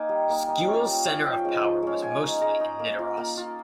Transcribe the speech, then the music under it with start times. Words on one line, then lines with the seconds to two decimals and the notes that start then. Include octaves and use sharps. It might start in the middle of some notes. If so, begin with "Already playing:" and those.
Skule's center of power was mostly in Nidaros.
Already playing: A#3 D#4 G#5
0.09 G3
0.29 A#3 D#4
0.48 G3
0.68 C#4 F4
0.86 G3
1.07 C#4 F4
1.25 F3 G5
1.44 G#3 C#4
1.64 F3
1.82 G#3 C#4
2.02 G#3 G#5
2.21 D#4
2.41 G#3 A#5
2.60 D#4
2.79 A#3
2.99 F4
3.17 A#3
3.37 F4